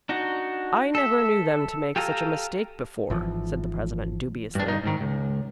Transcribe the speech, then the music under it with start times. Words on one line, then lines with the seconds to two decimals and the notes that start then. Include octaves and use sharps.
"I never knew them to make such a mistake before," said the president, dubiously.
0.09 D4 D#4 F#4
0.95 A4 E5
1.96 G4 A4 F5 G#5 A#5
3.10 G#1 E3 F3
4.55 G2 D4
4.67 G2 D#4
4.84 G#2 D#3
5.01 C#2